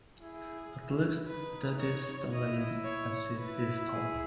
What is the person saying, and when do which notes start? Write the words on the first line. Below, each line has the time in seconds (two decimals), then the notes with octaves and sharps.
At least that is the legend as it is told.
0.21 E4 G#4
0.74 E4
1.27 D#4 B4
1.79 C#5
2.32 E4 D#5
2.85 C#5
3.37 E4 B4
3.91 G#4